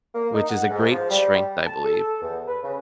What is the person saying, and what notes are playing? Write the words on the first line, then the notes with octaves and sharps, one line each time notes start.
which is a great strength, I believe,
A#3
D#4
F#5
G#2
F3
G3
A5
A4
E2
B4
C#3